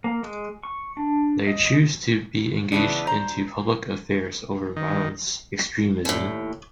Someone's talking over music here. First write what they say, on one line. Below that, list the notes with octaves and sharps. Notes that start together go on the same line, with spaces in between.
They choose to be engaged into public affairs over violence extremism.
A#3
G#3
C#6
D4
D#5
C#3 E3 B3 D4
C5 A#5
D#3
D#2 A2